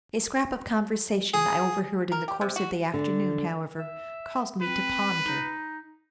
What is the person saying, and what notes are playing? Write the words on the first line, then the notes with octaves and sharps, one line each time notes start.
A scrap of conversation I overheard in the course of the afternoon, however, caused me to ponder.
G#4
A#4
G4
C3
F#4
D3
E5
C4 B4
D#4